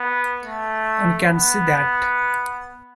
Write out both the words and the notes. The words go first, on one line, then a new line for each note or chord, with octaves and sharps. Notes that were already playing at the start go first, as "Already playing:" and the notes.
One can see that.
Already playing: B3
A3
B3